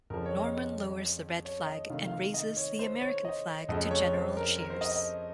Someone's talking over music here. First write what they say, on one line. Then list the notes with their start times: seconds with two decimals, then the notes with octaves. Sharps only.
Norman lowers the Red flag and raises the American flag to general cheers.
0.10 F2 C#3 F3 A#4
0.26 C#5
0.39 D#5
1.45 C#5
1.67 D#5
1.90 C3 D#3 A3 F5
2.08 F5
2.34 D#5
2.57 C#5
2.79 C5
3.01 C#5
3.25 D#5
3.69 F2 C#3 A3 D#5
3.91 C#5
4.14 C5
4.37 A#4
4.58 A#4
4.70 C5
4.81 D#5
4.92 D#5